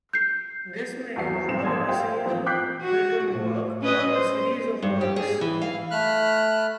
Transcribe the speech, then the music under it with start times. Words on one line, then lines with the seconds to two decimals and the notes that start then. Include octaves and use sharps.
This may involve a single written work, or a series of works.
0.13 G6 C7
1.16 E2 F#4 A4 E5 C7
1.48 B1 G3 C4 E7
1.65 A#1 A#3 A4 C6 G#6
1.88 G4 C5 E5 F5 G5
2.25 A1 F3
2.46 G5 D6 F#6 G6 B6 C7
2.82 F#4
3.32 A2
3.82 C#4 B4 D#5
4.12 C5
4.82 G2
5.01 G4
5.16 G#4
5.41 E3
5.62 F5
5.91 A3 B5 F6 F#6